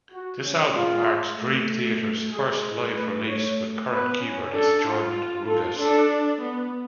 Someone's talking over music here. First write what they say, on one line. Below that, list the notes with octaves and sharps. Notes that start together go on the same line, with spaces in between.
This album marks Dream Theater's first live release with current keyboardist Jordan Rudess.
F#4
C#4
G#3 F4
A3
G#3 G#4
A3 B4
C#5
B3 B4
C#4
D4 A4
F4
F4 A4
D4 A4
B3